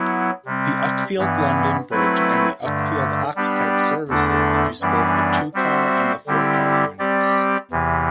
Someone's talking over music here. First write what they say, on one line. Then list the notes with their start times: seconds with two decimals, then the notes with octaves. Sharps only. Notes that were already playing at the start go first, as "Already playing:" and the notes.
The Uckfield-London Bridge and Uckfield-Oxted services use both the two-car and the four-car units.
Already playing: F#3 B3 E4
0.46 C3 G3 C4
1.18 G2 E3 B3
1.91 F#3 A3 C4 E4 B4
2.64 G2 D3 A3
3.35 G3 B3 D4 G4
4.08 E2 D3 A3 D4 A4
4.81 F#2 E3 G3 B3 D4
5.54 G3 C4 F#4 C5 E5
6.27 D3 G3 C4 E4 G4
6.99 G3 C4 G4 D5
7.71 E2 C3 E3